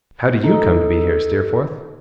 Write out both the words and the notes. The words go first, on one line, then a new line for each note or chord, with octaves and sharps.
How do YOU come to be here, Steerforth?'
D#4 A4